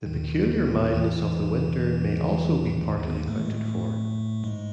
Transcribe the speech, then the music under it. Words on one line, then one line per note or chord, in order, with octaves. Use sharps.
The peculiar mildness of the winter may also be partly accounted for.
D#2 D#3
E2 E3
D#3
E3
D#2 D#3
D#2 D#3
B3
A#3
A2 A3
G#3
A2 A3
G#2 G#3